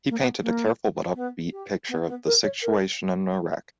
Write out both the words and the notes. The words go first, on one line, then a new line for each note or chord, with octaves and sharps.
He painted a careful but upbeat picture of the situation in Iraq.
A#3
B3
A#3
B3
G4
B3
B3
A#4
C#5
A#4